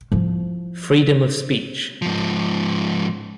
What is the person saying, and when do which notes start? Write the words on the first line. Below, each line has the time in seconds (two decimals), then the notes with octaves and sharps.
Freedom of speech.
0.12 F3 E4
2.02 G#2 F3